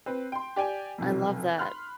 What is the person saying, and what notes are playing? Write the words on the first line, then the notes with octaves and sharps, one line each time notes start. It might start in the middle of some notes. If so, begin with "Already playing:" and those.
I love that.
C4 B4
G5 C6
G4 D5 G5 G#5
F1 B1 F2
B5 C6 F6 F#6